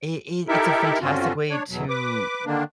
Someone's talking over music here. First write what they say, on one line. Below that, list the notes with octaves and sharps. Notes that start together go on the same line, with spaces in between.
It it it's a fantastic way to
D#4 E4 G4 A4 A#4 E5
G2 D3 C4 C#4 F4 F#4
D4 C#5
E2 B2 F#3
B4 D6
D3 D#3 A#3 D4